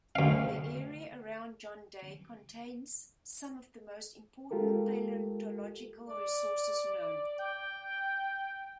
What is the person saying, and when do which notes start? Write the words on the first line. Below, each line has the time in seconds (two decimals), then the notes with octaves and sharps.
The area around John Day contains some of the most important paleontological resources known.
0.15 D2 F5
4.51 G#3 F4 G4 A4 A#4
6.09 D5
7.39 G5